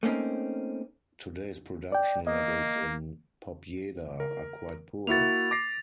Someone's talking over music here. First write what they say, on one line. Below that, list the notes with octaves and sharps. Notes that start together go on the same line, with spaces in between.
Today’s production levels in Pobjeda are quite poor.
A3 A#3 C4 C#4 D#4
D5 G5
A#3 D#5
A#4
A#3 E4 F#4 A6 F7
D6 A#6 C7